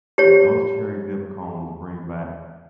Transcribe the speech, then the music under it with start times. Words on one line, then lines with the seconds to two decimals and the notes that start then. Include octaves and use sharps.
And those cherry-dip cones bring back
0.18 G4 C#5